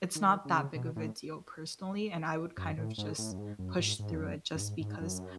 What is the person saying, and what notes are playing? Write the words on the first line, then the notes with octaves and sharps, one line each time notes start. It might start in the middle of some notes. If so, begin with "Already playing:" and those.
it's not that big of a deal personally, and I would kind of just push through it just because,
D#3
C#3
B2
A2
F#2
A2
G#2
A2
F#2
G#2
F#2
G#2
G#2
E2
F#2
F#2
G#2
G#2
F#2